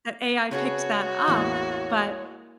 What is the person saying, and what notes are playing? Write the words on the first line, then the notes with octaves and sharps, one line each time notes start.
that AI picked that up, but,
C#3 F#4 G#4 A4 B4 C#5
A1 E2 A#3 E4